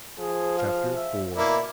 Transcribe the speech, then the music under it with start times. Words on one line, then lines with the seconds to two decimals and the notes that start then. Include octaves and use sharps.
Chapter IV.
0.19 F3 G#4
0.58 F5
0.95 E5
1.36 B2 A#3 E4 D5